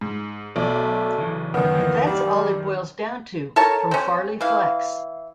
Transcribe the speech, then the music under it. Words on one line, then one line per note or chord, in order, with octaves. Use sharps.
And that's all it boils down to, from Farley Flex.
G#2
B1 B2 A3 D5
C#3 E3
F#2 D#3 B3
D2 E3 A#3
G3 D4
A4 A#4 C#5 A5
C4 C#4
E3 F5